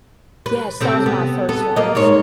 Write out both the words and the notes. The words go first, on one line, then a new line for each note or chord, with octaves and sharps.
Yes, that was my first one.
B4
C3 C4 A4
B3
B3 A4
A#3 D#5
G#2 G#3 C#5